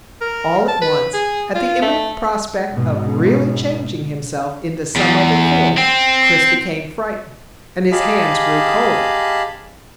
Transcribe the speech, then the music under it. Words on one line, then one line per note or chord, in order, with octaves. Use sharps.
All at once, at the imminent prospect of really changing himself into some other form, Chris became frightened and his hands grew cold.
A#4
A5
B4
G#4
F4
A3
G#2 B2
E2
C4
G4 G#4 D#5 F5 A5 B5